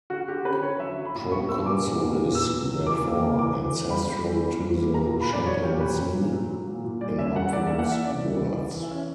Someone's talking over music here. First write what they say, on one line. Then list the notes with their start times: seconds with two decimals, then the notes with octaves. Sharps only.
Proconsul is therefore "ancestral to the Chimpanzee" in Hopwood's words.
0.10 D3 F#4
0.28 D3 G4
0.45 C#4 B4
0.62 D3 C#5
0.79 F#3 E5
0.97 F#3
1.05 B5
1.15 A#2
1.32 B3 C#6
1.48 B3 E6
1.66 A#2 D6
1.84 B3
2.00 A#2
2.18 A#2
2.34 B3 E6
2.52 F#3
2.69 F#3
2.87 E3 D6
3.04 A#3
3.21 A#3
3.38 E3 D6
3.55 E3
3.74 E3
3.90 G3 B5
4.08 G3
4.24 E3
4.42 E3
4.60 G3
4.77 A#3
4.94 A#2 A#5
5.12 A#2
5.21 B5
5.29 C#4 D5
5.46 F#3 C#5
5.63 A#2 G4
5.80 F#3 B4
5.97 C#4
6.15 A#2
6.33 F#3
6.50 F#3
6.67 A#2
6.85 A#2
7.01 G3 D5
7.18 C#4 E5
7.36 G3 F#5
7.53 E3 D5
7.67 A#3 E5
7.79 F#5
7.88 E3 E5
8.04 C#4 D5
8.22 G3
8.39 E3
8.56 E3
8.75 E3
8.83 E5
8.91 C#4